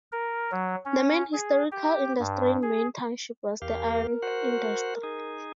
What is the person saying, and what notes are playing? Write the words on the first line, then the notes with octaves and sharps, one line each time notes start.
The main historical industry in Main Township was the iron industry.
A#4
F#3
C#4
G#4
G4
G2
G#4
E2 G4 A#4 F5
F#4 C5 F#5
D#4 G#4